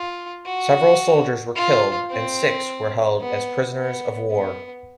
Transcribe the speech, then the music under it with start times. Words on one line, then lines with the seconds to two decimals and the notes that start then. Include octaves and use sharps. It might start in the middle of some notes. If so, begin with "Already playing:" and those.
Several soldiers were killed and six were held as prisoners of war.
Already playing: F4
0.46 F#4
1.56 F4
2.11 C4
3.21 B3
3.76 B3
4.31 B3